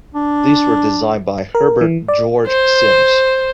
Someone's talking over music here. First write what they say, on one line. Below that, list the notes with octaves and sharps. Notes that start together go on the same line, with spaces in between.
These were designed by Herbert George Simms.
D4
A#4
E3
D5
C5